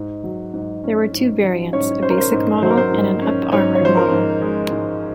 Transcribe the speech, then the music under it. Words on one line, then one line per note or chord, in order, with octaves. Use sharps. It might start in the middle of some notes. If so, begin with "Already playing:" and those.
There were two variants; a basic model and an up-armored model.
Already playing: G#2
F#3
G#2
C#4
G#2
F#3
G#2 C#4 C#5
C#4 C5
A#4
C5
G#2 A#4
F#3 C5
A#4
C5
G#2
C#4
G#2 C#4 C#5
C#5
F3 C5
A#4
G#2
G#3
G#2